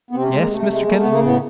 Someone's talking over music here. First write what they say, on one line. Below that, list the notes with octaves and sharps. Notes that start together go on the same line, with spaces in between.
"Yes, Mr. Kennedy?"
B3
C3 C4
C#4
C4
G#3
A#3
C3 A3
G#3
A3 A#3
B3
C#3
A#3
A2 B3